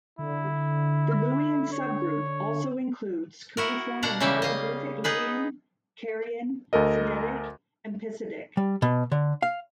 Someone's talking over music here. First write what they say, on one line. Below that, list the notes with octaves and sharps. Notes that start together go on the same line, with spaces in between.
The Luwian subgroup also includes cuneiform and hieroglyphic Luwian, Carian, Sidetic, and Pisidic.
D3 E4
C#5
E4 F#4 A#4
B2 D4 F5 F#5 A#5
C#3 E3 G3 A#3 E5
D#5 F5
B3 D#4 G#4 B4
D2 A4 A#4 D#5
G3
B2
D3
F5